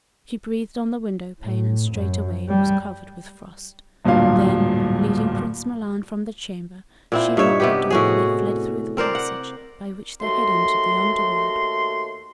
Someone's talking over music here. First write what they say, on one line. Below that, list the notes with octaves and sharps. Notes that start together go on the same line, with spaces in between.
She breathed on the window-pane, and straightway it was covered with frost; then, leading Prince Milan from the chamber, she locked the door, and they fled through the passage by which they had entered the Underworld.
A2
F#2
G3
D1 G2 A#2 F#3 F5
A#2 C4 E4
G2 D#4 C#5 E5
C3 B3 G4
A2 F#4 G#4
C4 A#4 C5 D5
F#5
D#2 A3 F#4 C6